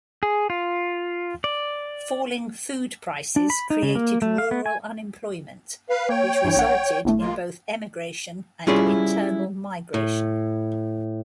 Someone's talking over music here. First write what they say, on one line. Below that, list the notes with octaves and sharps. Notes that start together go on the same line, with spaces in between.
Falling food prices created rural unemployment, which resulted in both emigration and internal migration.
G#4
F4
D5
D4
B5
D#4
C#3
A#3
A3
F5
B3
G#5
B4 F5
A#3 C#5 G5
G2 E3
A#1 F#5
G1 A2 A3
G#3 A#3 F4
G3 C#4 E4 F4 G#4 D5
A2